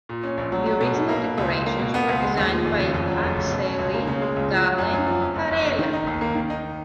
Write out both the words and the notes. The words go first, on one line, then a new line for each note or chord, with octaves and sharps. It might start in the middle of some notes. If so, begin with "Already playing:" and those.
The original decorations were designed by Akseli Gallen-Kallela.
A#2
C#4
A#1
F#3
F#3
B2
B2
A#3
B2
C#2
C#2
A#3
B2
B3
C#2
G#3
D#2
F3
F1
C#3
F2
F#3
F1
C#3
B2
C#4
C#2
A#3
C#3
G#3
C#2
F3
C#3
F#2
F#2
F3
F2
F#1
F#1
C#3
D#3
D#4
D#2
A#3
D#3
D#4